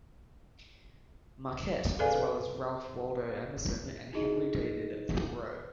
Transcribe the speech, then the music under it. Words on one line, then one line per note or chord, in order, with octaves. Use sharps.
Marquette, as well as Ralph Waldo Emerson and Henry David Thoreau.
G#4 A4 B4 D5 F5 G#5
D#4 E4 F#4 G#4 D#5